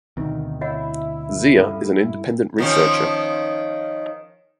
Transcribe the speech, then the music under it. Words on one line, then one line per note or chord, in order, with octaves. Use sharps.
Zia is an independent researcher.
D2 B2 D#3 C4
E4 C#5 D#5 F#5
G2 A#3 C#4 A4
D#3 F3 C#4